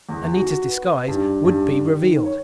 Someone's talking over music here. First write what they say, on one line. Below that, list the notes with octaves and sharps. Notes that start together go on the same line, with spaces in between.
Anita's disguise would be revealed.
E2
F#4
B4
G2
G2
D#3
C#5